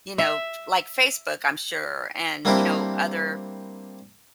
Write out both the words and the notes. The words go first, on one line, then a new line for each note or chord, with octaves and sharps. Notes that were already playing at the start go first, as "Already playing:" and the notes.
you know like Facebook, I'm sure, and, you know, other
E5
G3 A#3 C4 D4 E4 G4